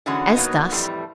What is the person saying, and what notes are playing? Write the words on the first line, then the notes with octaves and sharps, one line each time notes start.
As thus.
D3 E3 F#3 G#3 C#4 F#4
B2 F#3 A#3 B3 D#4 D#5
F2 A2 E3 G3